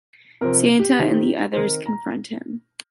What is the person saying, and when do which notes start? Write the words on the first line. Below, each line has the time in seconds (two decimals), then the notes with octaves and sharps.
Santa and the others confront him.
0.41 C3 F3 C4 A#4
0.79 G4
0.99 D#3 C4 D#4
1.53 C5
1.56 D#3 C4 D#4 A#4
1.86 A#5